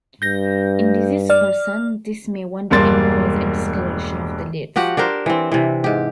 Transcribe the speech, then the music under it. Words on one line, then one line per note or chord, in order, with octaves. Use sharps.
In diseased persons these may wander and cause a discoloration of the lids.
G2 G6 A#6
D5 F6
E1 G2 A#3 C6 A6
F3 F#4 G4 F#5
D4 G4 A#4 C5
E3 C4
C3 E3
G#2 G4